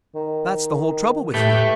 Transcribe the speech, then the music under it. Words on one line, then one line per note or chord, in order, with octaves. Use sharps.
That's the whole trouble with you!
D#3
A2 A3 G4 B4